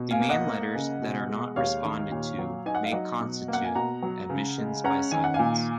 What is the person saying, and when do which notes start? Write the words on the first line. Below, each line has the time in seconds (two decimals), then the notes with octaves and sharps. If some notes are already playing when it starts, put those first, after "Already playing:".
Demand letters that are not responded to may constitute admissions by silence.
Already playing: B2
0.11 F5 G#5
0.20 A#3
0.30 D#5 F#5
0.47 A#3
0.75 C#3
1.02 B2
1.29 G#3
1.56 D#2 C#5 F5
1.84 D#3
2.12 A#2
2.39 F#3
2.66 D#4 G#5
2.75 F#5
2.83 F5
2.92 F#3 D#5 F#5
3.20 B2
3.48 A#3
3.53 F#5
3.64 G#5
3.75 B2 F#5 A#5
4.02 F#3
4.29 C#3
4.58 G#3
4.84 C#4 F#5 A#5
5.12 D#3 G#5
5.24 F#5
5.34 A#2 F5 G#5